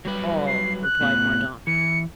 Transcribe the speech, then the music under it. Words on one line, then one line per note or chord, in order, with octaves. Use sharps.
"All," replied Mordaunt.
F#3 G3 B4
C7
F#6
A2 B3
E3 C#7